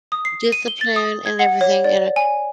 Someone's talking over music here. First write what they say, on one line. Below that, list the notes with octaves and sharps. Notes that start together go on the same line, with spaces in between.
Discipline and everything and a
D#6
C7
D#7
G7
A6
D#6
G#6
F#5
C#5
D5
G#5